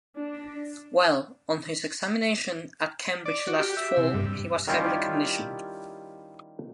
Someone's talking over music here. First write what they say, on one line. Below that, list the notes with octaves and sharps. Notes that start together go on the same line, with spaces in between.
Well, on his examination at Cambridge last fall, he was heavily conditioned.
D4
D5
F#4
G4
E5
C3
G2
D#3 G3 C#4 E4 F4 G4